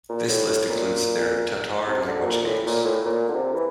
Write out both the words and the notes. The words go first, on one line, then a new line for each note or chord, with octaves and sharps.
This list includes their Tatar language names.
A#2
A2
A2
A#2
C3
D3
C3
A#2
A2
A#2
A2
A#2
D3
C3
E3